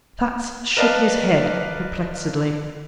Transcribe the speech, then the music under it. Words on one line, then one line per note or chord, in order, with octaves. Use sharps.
Platts shook his head, perplexedly.
A#4 B4 D5 D#5 F5 A5